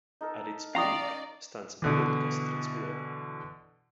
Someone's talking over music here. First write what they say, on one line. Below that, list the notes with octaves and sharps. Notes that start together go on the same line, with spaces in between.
At its peak stands a broadcast transmitter.
D#4 A4 A#4
C#4 D5 D#5 F5 A#5 C#6 D#6
B2 D3 E3